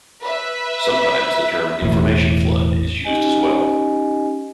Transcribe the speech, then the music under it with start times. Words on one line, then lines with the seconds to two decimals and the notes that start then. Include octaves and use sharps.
Sometimes the term "information flood" is used as well.
0.22 B4 E5
1.82 E1 A1 A2
3.04 C#4 D#4 G4 D#5 G#5